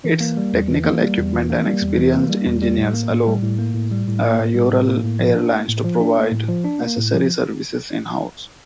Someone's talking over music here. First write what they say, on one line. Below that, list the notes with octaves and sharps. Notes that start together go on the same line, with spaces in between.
Its technical equipment and experienced engineers allow Ural Airlines to provide necessary services in-house.
E3
A#3
G3
E2
E3
A#3
G3
E2
E3
A#3
G3
E2
E3
A#3
G3
E2
G3
A2
A#3
A2
G3
A2
A#3
A2
G3
A2
A#3
A2
G3
A2
A#3
A2
F3
D4
A#3
A2
F3
D4
A#3
A2
F3
D4
A#3
A2
F3